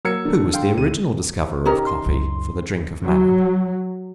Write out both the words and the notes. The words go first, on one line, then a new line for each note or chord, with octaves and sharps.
Who was the original discoverer of Coffee, for the drink of man?
F#3 A#3 A#4 E6 G#6 C#7
D3
F5 G5 C6
D2 D#7
C#4 D#4 G4 A#4
C6
C#2 F#2
F#3